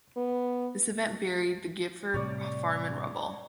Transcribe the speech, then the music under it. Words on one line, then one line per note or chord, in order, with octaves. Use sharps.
This event buried the Gifford farm in rubble.
B3
A2 C3 G3 C#5 D5